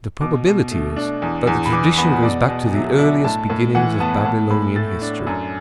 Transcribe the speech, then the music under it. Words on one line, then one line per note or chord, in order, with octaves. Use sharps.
The probability is that the tradition goes back to the earliest beginnings of Babylonian history.
B2 D6
B2
A3
D4
E2
E2
B5
E3 D6
B3 B5
B2 D5
B2
F#3 E5
D4 E5
A2 A5
A2
E3 F#5
B3 A5
A2 A5
A2 B5
A3 A6
D4
F#2